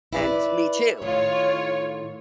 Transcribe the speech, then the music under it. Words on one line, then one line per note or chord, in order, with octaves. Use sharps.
and me too!
E4 B4 D5
A2 D#3 F4 C#5